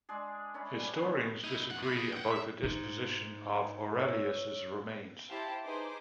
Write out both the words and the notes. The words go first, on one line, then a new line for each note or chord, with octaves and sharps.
Historians disagree about the disposition of Aurelius's remains.
G#3 D4 G#4
C#4 D4 E5 B5
G3 B4
C3 D#3 A3 B3
D#4 E4
F2 F#5
C3 B5
A#3 G#4
F#5 G5
E5
G#2 D#4
C#5 E6
E4 G4 C5 F5 G5 A5
D#4 G#4 B4 C5 D6